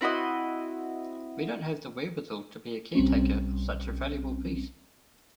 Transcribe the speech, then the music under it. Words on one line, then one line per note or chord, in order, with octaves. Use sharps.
We don't have the wherewithal to be a caretaker of such a valuable piece.
C4 E4 F#4 D#5
B1 G3 C4 C#4